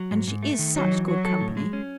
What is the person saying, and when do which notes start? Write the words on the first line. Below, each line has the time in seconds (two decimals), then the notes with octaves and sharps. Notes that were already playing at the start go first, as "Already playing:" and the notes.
And she is such good company.
Already playing: F#3
0.11 G#2
0.27 G#2
0.43 A3
0.59 D#3
0.76 F#3 D#4
0.92 E3
1.08 F#3 F#4
1.25 A4
1.41 A2
1.57 G#3
1.73 C#4